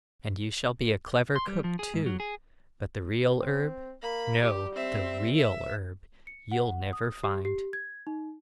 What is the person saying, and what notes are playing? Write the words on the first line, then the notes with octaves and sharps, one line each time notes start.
And you shall be a clever cook too, but the real herb--no, the REAL herb you'll never find.
C6
G3
F3
G#4
G#2
F#3
G#4
C4
A#3 B5
G3 G4
C4 E5
E5
C#7
F#5
D#6
G4
G4
G#6
D#4